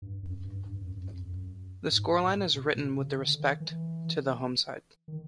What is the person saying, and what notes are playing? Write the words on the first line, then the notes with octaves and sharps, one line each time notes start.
The scoreline is written with respect to the home side.
G2
F#2
G2
G2
F#2
F#2
F2
F#2
G#2
A2
B2
B2
C#3
D3
D#3
E3
D#3